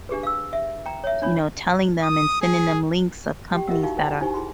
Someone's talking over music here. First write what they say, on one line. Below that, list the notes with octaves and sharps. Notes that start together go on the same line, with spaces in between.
you know, telling them, and sending them links of companies that are
D4 G4 G#4 B4
F5 E6
E5
G5 A#5
C#5 E5
D4 D#4 C#5 B5
D#6
G#4
G4 G5
G4 A#4 D#5 E5 F#5 E6
D#4 E4 F#4 F5 C#6
A#4 C5 G5 G#5 A#5
D#4 E4 G4 C5 G#5 C#6
E4 G#4 B5 C6